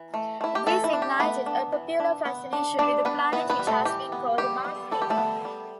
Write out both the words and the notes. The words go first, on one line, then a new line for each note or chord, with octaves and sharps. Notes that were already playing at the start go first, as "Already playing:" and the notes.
This ignited a popular fascination with the planet which has been called "Mars fever".
Already playing: E3
A3
A3 E4
G4
E3 A3 A4
E4
D4
G4
A3 B3 B4
D4
E3
D4
B3
D4
G3 D4 D5
B3 D4 B4
E3 B3 B4
B3 B4
G3
A3 A4
E3 G4
B3
G3 G4
B3
G3 A4
G4
A3 A4
B3
G3